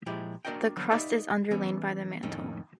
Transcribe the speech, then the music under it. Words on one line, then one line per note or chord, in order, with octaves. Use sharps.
The crust is underlain by the mantle.
A#2 F3 G#3 E4 G4
A#3 D4 F#4 A#4 D#5 G5
D3 F3 F#3 B3
D#4 G4 B4 D5 E5 F5
E3 B3 C#4
F2 A2 D#3 C#4